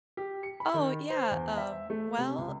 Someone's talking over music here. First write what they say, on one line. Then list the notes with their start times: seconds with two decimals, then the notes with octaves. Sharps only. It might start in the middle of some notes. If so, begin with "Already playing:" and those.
Oh, yeah, um, well,
0.17 G4
0.43 C#7
0.60 B5
0.74 D#3
1.10 C5
1.31 E2
1.57 E5
1.90 A3
2.18 C3
2.38 C#2